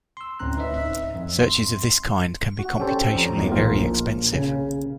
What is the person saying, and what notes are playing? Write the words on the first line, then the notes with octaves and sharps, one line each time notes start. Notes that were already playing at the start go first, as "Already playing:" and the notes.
Searches of this kind can be computationally very expensive.
C6 E6
D2 A2 C4 C#4 A#5 F#6
D#4 B4 C#5 D#5 E5
E5
F2
C6
F#4
C#4 G4 A4 C5 D5 A5
F2 A#5
E2 A2 D#3 F#3
A#1 A#3 F4 A#4 C5
C#3